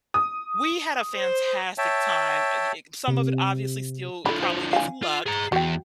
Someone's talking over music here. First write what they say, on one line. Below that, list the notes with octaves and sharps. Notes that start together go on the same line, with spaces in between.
We had a fantastic time, eh, y y some of it obviously still probably is luck,
D#6
C5
C#5 E5 G5 A5
C3
D3 F3 A4 B5
C5
F5 G#5
F4
G#4 A#5
E2 F#4 G5